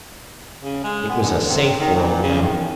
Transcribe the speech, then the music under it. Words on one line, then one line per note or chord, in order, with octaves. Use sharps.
It was a safe world now.
C#3
G#3
B3
D3
C3
D#3
A#2
C#3
D#3